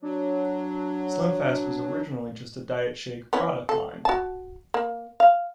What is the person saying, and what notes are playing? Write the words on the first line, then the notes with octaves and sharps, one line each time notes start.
SlimFast was originally just a diet shake product line.
F#3 D4
B3 C#4 E4
A4
F#4 A5
A#3
F5